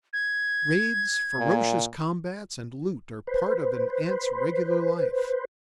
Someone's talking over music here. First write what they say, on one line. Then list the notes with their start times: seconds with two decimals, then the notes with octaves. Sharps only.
Raids, ferocious combats, and loot are part of an ant's regular life.
0.13 G#6
1.39 A#2
3.27 B4 C5